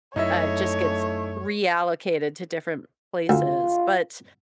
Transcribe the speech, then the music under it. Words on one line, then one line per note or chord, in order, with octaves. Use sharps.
uh, it just gets reallocated to different places. But
F#2 A3 D#4 E4 C#5 E5
D2 F4